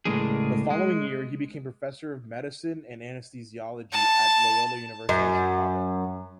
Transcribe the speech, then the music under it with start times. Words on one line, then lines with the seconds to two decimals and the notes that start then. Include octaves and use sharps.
The following year he became Professor of Medicine and Anesthesiology at Loyola University Chicago.
0.05 C#2 A2 G#3 A#3 D4 G#4
0.70 G#3
3.92 A5
5.09 F#2